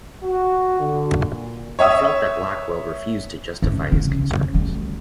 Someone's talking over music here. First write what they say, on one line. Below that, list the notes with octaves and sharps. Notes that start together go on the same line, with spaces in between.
He felt that Blackwell refused to justify his concerns.
F#4
D3
A#2
C#5 E5 D#6 E6
C#3
C#3
D2 G3